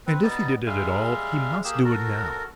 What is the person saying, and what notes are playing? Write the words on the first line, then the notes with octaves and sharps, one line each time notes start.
And if he did it at all, he must do it now.
C4 B4
G3 B3 D#4 D5
G3 G#3 E5 F5
A#3 G4 G#4 E6
F#4 A4 A#4